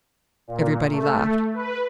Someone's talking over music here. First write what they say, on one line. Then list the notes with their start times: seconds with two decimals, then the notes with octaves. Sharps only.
Everybody laughed.
0.48 A#2
0.91 A3
1.54 B4